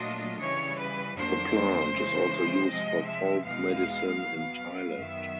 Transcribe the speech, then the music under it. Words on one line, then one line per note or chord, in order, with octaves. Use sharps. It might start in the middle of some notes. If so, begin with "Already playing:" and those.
The plant is also used for folk medicine in Thailand.
Already playing: A#2 F#3 A3 D4 F4 D#5
C#3 E3 G3 C#5
B4
F2 D3 F#3 A#3 D4 C5
C#3 E3 G#3 C#4
C3 F3 G#3 C4 D#5
E5
E2 B2 G#3 B3 D#4 F5
B2 F#3 B3
F#2 D#3 F#3 B3 E5